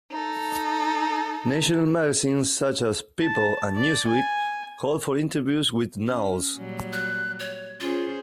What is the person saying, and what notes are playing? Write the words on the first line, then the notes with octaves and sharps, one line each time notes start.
National magazines such as "People" and "Newsweek" called for interviews with Knowles.
D#4 A4
A5
D5
G#5
C#4
A#2 F#3 G3
F#6
C#5
C#4 F4 G#4 C5